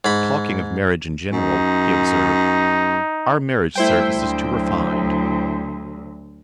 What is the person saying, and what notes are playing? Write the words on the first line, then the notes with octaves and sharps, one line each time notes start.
Talking of marriage in general, he observed, 'Our marriage service is too refined.
G#2 B5
F#2 D#4
G3 A3 E4 C5 G5
D2 F#3